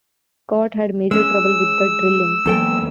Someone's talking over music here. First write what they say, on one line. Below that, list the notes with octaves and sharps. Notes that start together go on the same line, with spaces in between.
Scott had major trouble with the drilling.
G#3 C#4 E6
E2 E3 F#3 A#3 A4 G5